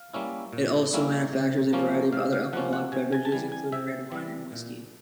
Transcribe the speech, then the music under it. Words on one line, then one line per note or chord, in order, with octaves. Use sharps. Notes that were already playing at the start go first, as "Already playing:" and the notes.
It also manufactures a variety of other alcoholic beverages including red wine and whiskey.
Already playing: F5
G3 A#3 C#4 E4
A#2
G3 A#3 C#4 E4
C3
F3 A#3 C#4
C3 F5
F5
F3 A#3 C#4 F#5
F#5
C3 G#5
G#5
A5
E3 G3 G#5
G#5
C3 E5
E3 G3
A#2